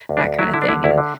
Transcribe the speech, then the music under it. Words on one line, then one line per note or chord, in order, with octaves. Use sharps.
that kinda thing, and
D2
D4
D2
F#3 E4
D3 E4
D4
D3 E4
D2 E4
D3